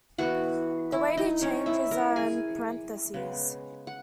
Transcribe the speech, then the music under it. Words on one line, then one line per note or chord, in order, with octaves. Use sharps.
The Wadey changes are in parentheses.
E3 B3 F#4 F#5
E4 E5
D#4 D#5
C#4 C#5
E4 E5
A#4 A#5
G#4 G#5
C#3 G#3 B3
F#5